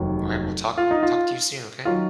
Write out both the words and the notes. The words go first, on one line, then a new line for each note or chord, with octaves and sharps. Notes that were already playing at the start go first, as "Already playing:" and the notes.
Alright, well talk talk to you soon, okay?
Already playing: F1 D#2 D#3 F#3
F4
D#4
F4
D#3 F#3 F4